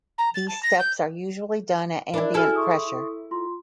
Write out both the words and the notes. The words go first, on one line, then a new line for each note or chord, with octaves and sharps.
These steps are usually done at ambient pressure.
A#5
A6
A5
A#6
G6
D4 E4 A#4
E4 F#4 G#4 A4 G#5 F6
C6 C#6 D#6
F4 C6